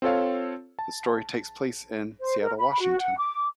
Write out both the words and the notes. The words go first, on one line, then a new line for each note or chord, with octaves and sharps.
The story takes place in Seattle, Washington.
C4 F4 A4 C#5 F5
A5
C5
A#4
B5
F#4
F#5
D6